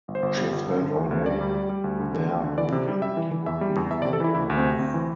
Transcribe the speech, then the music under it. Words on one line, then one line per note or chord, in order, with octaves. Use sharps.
She had spent all day there hoping he would be found alive.
G1
C5
G1
G3
G1
G2
D3
D2
D2
D2 D5
G3
G3
G3
D2
D3
D3
D2
D3
E3 D5
C3
G3
G3 E5
E3
E3
E2 E5
G3
E2
E2 E5
D5
C3
A4
E3 E4
D2 E4
D2
C4
C3
D2 C4
E3